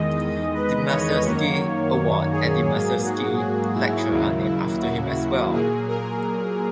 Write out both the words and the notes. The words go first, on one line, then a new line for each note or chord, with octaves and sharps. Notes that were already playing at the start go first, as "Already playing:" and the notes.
The Masursky Award and the Masursky Lecture are named after him as well.
Already playing: E2 D#3 G#3 D#5
B4
C#5
F#2 D#3 F#3 A#3
G#4
G#2 F#3 A#3
F#4
F#4
E4
D#2 C#3 F#3 A#3
E4
F#4
A#2 F#3 A#3 G#4
A#4